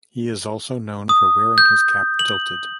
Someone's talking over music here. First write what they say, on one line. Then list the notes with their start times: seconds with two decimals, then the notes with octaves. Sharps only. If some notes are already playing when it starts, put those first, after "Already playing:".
He is also known for wearing his cap tilted.
1.09 D#6
1.58 G6
2.19 F#7